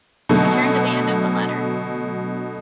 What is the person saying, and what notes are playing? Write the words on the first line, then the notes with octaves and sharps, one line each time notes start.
He turned to the end of the letter.
B2 D3 F#3 A3